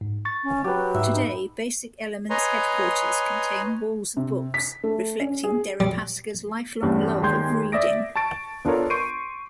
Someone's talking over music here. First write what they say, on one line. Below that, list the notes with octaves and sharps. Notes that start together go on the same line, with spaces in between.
Today, Basic Element's headquarters contain walls of books, reflecting Deripaska's lifelong love of reading.
G#2
C#6 A6
C#4
F#3 G4 B4
G#2 E5
D#4
B4 C#5 D#5 G#5 A#5 C6
C3
B6
A3
C#4
G#4
G3
E2 G2 G3 C#4 D4
D#2 G#3 G5 C6 G6 G#6
D5 E5 D#6 A#6 D7
A5 C#6 A6 D7
B3 D4 F4 A4 A#4 C#5
C6 C#6 G6 C7 D7 D#7